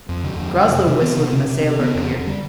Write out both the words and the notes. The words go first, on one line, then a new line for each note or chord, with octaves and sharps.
Groslow whistled and a sailor appeared.
F2
D3
F2
G3
C3
C3
B3
C3
C3
C3
C3
B3
F2
D3
G3